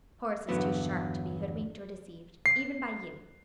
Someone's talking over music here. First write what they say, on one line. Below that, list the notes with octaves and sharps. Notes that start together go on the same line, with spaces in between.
Horace is too sharp to be hoodwinked or deceived, even by you.
E2 G2 D3 F#3 B3 E4
C7